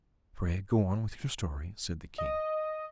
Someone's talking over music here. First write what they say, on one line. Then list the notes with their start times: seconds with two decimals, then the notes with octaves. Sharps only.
"Pray go on with your story," said the King.
2.18 D#5